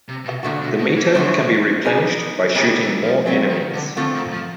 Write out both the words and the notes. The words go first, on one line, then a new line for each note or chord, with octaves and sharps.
The meter can be replenished by shooting more enemies.
C3
B2
A#2 D3 F3 A3 D4 F#4
B2
B2
E3
D3 F3 A3 D4 F#4
G3 B3 D#4 G#4
D#3 G3 B3 D#4 G#4
E3
F3
F#3 A3 C4 F4
D#3
D3
D3 A3 C4 F4
D#3
F3